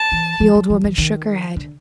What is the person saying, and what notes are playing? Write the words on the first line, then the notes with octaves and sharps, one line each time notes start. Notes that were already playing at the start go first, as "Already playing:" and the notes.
The old woman shook her head.
Already playing: A5
E3
F3
F#3
F3
E3
D#3
D3